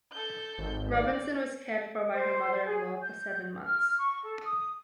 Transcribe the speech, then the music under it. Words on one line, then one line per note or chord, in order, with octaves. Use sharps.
Robinson was cared for by her mother-in-law for seven months.
A4 G6
G#1
D5
C5
G#4
G6
F6
C#6
A4
D#6